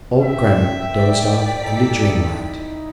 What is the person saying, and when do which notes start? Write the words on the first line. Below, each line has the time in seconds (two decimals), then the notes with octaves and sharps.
Old Grammont dozed off into dreamland.
0.22 C4 E5 G5
0.95 D#3 F3 A#3 D5 B6
1.64 D#4 E4 A4